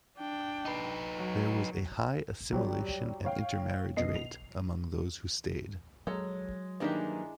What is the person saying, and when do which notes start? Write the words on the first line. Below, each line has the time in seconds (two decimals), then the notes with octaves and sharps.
There was a high assimilation and intermarriage rate among those who stayed.
0.17 D4 G5
0.65 D#4 B4
1.17 F#3
2.52 F#3 G3 G4 C#5 D5
3.25 C#5 F5 G5
3.97 B2 D#5 C7
4.15 F7
6.07 F#3 G#3 A4 A#5
6.80 G2 D#3 E3 G#3 A#3 D4 E4 G4